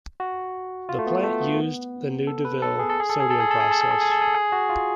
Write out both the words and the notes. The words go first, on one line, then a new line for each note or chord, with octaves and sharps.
The plant used the new Deville sodium process.
F#4
F4
A3
B3
A3
B3
A4
B4
A4
G#4
A4
G#4
A4
G#4
A4
G#4
A4
G#4
A4
G#4
A4
G#4
A4
G#4
G#4
F#4
F4